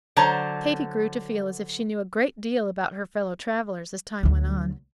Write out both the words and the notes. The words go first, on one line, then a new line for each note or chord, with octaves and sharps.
Katy grew to feel as if she knew a great deal about her fellow travellers as time went on.
D3 F#3 C5 A5 A#5
D2 F#3